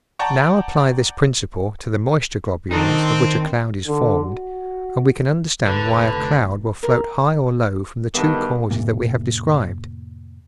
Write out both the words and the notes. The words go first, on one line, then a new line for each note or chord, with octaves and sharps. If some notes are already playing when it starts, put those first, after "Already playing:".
Now apply this principle to the moisture globules of which a cloud is formed and we can understand why a cloud will float high or low from the two causes that we have described.
D5 F#5 G5 A5 A#5 C#6
D#3 C4 D4 D#4
D3
F#4
F1 D3 B4
A#4
D2 G2 D#3 B3 A#4 F#5
F2 A2 C3 A#3